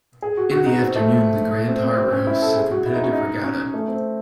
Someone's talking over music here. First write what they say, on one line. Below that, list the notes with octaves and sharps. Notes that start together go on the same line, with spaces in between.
In the afternoon the Grand Harbour hosts a competitive regatta.
G#4
F#4
F#4
D#4
C4
A3
C4
C4
C4
C#4
E4
A4
G#4
F#4
E4
D#4
C#4
D#4
C#4
A3
C4